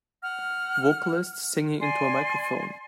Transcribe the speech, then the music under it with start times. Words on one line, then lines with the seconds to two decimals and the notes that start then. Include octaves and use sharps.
Vocalist singing into a microphone.
0.22 F#5 F6
1.80 D5 G#5 C6